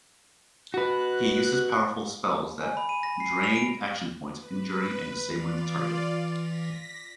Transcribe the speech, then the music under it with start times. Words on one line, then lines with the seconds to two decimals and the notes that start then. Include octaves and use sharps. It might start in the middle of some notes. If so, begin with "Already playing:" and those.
He uses powerful spells that drain Action Points, injuring and disabling the target.
0.74 F#4 B4 F#6
2.61 G#5
2.77 B5
2.89 D#7
3.03 A#6
3.20 C7
3.44 F7
3.56 D7
4.38 B4
5.31 E3 F4 D5
6.38 A#6 B6